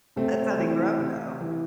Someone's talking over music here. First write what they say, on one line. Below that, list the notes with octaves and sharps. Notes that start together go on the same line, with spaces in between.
that's how they grew up, though.
C3 A3 C4
E3
C3
E3